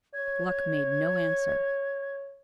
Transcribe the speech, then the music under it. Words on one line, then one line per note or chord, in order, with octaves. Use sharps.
Gluck made no answer.
C#5 G#6